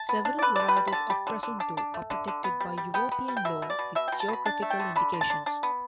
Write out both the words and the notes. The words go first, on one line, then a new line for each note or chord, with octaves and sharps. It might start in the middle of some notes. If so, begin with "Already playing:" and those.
Several varieties of "presunto" are protected by European law with geographical indications.
Already playing: A5
B3
D4
D5
D3 B4
D3 D5
B4
G3
B5
D3 A5
G3
D3
D3
D4
D4
A3
D3
D3
B3
G3
G3
B3 G5
B3
G3
G5
B2 E5
B2
D5
B2
B2 E5
B2 G5
A5
B2 B5
D4 A5
A3
G5
D3
D3 B5
D3
A5
D4
D4
B3